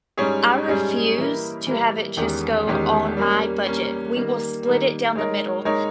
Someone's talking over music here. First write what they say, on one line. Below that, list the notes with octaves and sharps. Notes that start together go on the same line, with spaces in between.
I refuse to have it just go on my budget, we will split it down the middle,
G#2 G3 C#4 G#4 C#5
G#2 G3 C#4 G#4 C#5
E3 G3 A#3 E4 A#4
E3 G3 A#3 E4 A#4
E2 D#3 G#3 C#4 G4
E2 D#3 G#3 C#4 G4
G3 A#3 C#4
G3 A#3 C#4
D#3 G3 A#3
D#3 G3 A#3
G#3 D#4 A#4 C#5
G#3 D#4 A#4 C#5